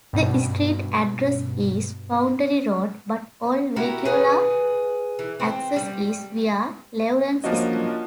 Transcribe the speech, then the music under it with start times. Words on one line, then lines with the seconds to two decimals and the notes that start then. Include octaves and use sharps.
The street address is Boundary Road, but all vehicular access is via Laurence Street.
0.13 G2 B2
3.76 E4 F#4 G4 A#4
4.05 G#4 B4
5.19 E3
5.40 C4
5.76 G3
7.44 F3 A#3 C#4 D4 F#4 D#5